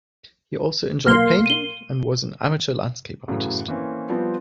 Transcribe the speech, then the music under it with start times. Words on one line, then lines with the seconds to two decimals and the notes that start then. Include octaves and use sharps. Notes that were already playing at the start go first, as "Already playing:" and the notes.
He also enjoyed painting and was an amateur landscape artist.
1.06 B1 A#3 C6 F6
1.46 D#7 G7
3.28 F#2 A2 C#3 E3 F#3
3.68 E3 A#3 C4 C#4
4.10 F3 G3 B3 C4 B4